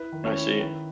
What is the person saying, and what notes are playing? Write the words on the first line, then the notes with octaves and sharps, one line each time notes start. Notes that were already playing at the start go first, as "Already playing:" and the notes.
I see.
Already playing: E4 B4
D#3
C#4 C#5
E4
D#3 B4